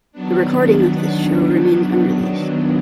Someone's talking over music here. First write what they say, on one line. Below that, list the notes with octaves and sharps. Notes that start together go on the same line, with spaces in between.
The recording of this show remains unreleased.
D#3 F#3 B3 D4